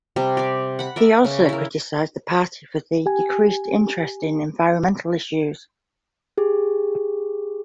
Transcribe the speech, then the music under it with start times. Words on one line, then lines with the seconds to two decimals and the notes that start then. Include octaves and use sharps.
He also criticised the party for its decreased interest in environmental issues.
0.16 C3 G3
0.37 G4 D5
0.79 F#5 B5
0.96 A#4 D5 E5
1.25 C#3
1.49 E4 A#4
3.06 G4 G#5
6.38 G4 G#4